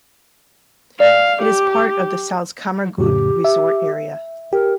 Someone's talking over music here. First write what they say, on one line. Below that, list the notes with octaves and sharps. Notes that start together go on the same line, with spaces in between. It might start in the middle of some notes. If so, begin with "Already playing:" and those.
It is part of the Salzkammergut resort area.
D5 F5
G4
F2 A2 C#3 G4
E5
G4 A#4